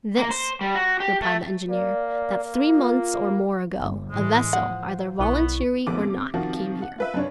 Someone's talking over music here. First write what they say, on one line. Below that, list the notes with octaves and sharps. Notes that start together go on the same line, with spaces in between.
"This," replied the engineer, "that three months or more ago, a vessel, either voluntarily or not, came here."
A#3
C5
G3
F#4
G4
A3
A#3 D5
A#3
F4
G1
A2 E3 G#3
F3 F#5
B1 B3 E4 C#6
F1 A#1 B3 D6
C3
C3 D#3 F3 F#4
F#5
F4 B4 E5
F#2 C3 D4 C#5